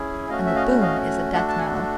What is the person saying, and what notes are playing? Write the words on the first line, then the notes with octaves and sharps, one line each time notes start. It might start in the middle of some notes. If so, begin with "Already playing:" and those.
And the boom is a death-knell.
Already playing: C#4 E4 G#4
A3 C#4 F#4 D#5 F5
E5
D#5 F5
D#5 F5
A3 D4 F#4 A4 E5 F#5
A5
F#5 G#5